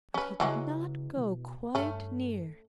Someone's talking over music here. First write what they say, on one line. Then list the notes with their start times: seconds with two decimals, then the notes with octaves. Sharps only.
But he did not go quite near.
0.14 C#4 B4
0.40 C#3 E3 F#3 G#3
1.17 B2
1.75 G2 A3 C#4